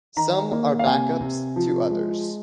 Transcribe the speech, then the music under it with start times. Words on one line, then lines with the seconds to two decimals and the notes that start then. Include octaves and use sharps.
Some are backups to others.
0.16 D#3 A#5
0.52 A#3
0.79 F5
0.86 C3 G#5
1.20 C3
1.56 F3
1.90 G#3